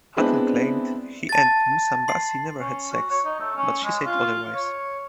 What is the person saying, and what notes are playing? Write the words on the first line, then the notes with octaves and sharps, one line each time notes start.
Hutton claimed he and Musambasi never had sex, but she said otherwise.
G#3 B3 C4 D4 E4 B4
A5 A6
C6 C7
C#4
F#4
C#5
D#4
A3
C#4
G#3
F4
C#5